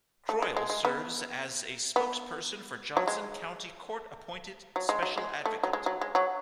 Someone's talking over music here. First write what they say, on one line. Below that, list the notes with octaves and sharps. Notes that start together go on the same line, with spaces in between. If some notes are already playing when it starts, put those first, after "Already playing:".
Croyle serves as a spokesperson for Johnson County Court Appointed Special Advocate.
A3
G#3
G#3
G#3
B3
B3
F#3
G#3
F#3
G#3
F#3
G#3
A3
F#3
G#3
F#3
G#3
F#3